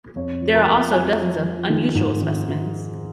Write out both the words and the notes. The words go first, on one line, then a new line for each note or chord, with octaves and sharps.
There are also dozens of unusual specimens.
F2 C#5
F3
A#4
F2
F3 G#5
F3
F3
D#3
G#2
D#3